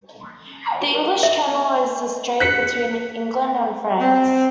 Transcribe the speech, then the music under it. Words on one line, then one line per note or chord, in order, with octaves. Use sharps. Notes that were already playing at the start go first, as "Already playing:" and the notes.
The English Channel is the strait between England and France.
E5
F#6 B6 C#7
C4